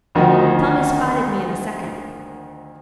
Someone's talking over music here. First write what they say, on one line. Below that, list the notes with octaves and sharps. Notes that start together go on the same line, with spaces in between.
'Tommy spotted me in a second.
D2 D#3 F3 D#4 F#4